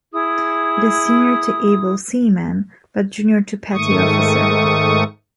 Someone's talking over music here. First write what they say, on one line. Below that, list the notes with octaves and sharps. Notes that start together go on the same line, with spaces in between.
It is senior to able seaman but junior to petty officer.
E4 G#4 D#6
G#2 D#3 A3 C#6 D#6